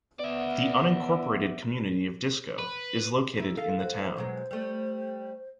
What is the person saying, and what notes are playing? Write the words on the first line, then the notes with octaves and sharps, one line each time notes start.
The unincorporated community of Disco is located in the town.
B3 D5 E5
B4
D#2 E4
A4 F5
F#4 C5
B2 F#3 G#3
G3 A3